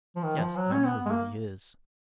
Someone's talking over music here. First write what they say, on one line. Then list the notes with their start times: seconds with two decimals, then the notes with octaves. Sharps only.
"Yes; I know who he is."
0.16 F3
0.23 D#3
0.40 F3
0.57 F#3
0.73 C#4
0.87 B3
1.06 G#3
1.11 A#3